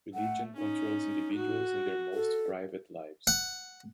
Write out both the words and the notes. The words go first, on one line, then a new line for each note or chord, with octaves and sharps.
Religion controls individuals in their most private lives.
A3 F#5
C#4 D#4
F#4
A4
F#5